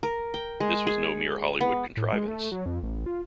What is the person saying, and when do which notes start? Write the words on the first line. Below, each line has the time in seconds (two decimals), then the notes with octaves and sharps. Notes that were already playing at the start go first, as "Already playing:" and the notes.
This was no mere Hollywood contrivance.
0.03 A#4
0.34 G5
0.60 G#3
0.87 G#4
1.61 B3
1.97 A2
2.13 G#3
2.28 A3
2.52 F#3
2.66 F2
2.83 A1
3.06 F4